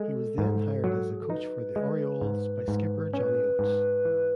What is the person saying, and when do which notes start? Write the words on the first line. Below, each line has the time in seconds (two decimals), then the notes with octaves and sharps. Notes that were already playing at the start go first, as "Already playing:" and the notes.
He was then hired as a coach for the Orioles by skipper Johnny Oates.
Already playing: G#3 A4
0.38 G#2
0.84 F#3
1.09 G#4
1.20 A4
1.30 D#4 B4
1.76 G#3
2.21 G#2
2.68 G#2
3.14 C#4 B4
3.59 G#2
4.05 E3